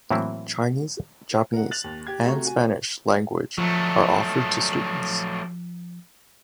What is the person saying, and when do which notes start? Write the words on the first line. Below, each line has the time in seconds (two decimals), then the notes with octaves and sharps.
Chinese, Japanese and Spanish language are offered to students.
0.10 A2 E3 F#3 A#3 C4 E4
1.53 A#4 F#5
1.71 F#6 A6 F7 F#7
1.84 D#2
2.07 G4 G#6
2.25 C3 A3 F#4 A#5 C#6
2.44 F#4 G#5
3.58 F3 F#3 A3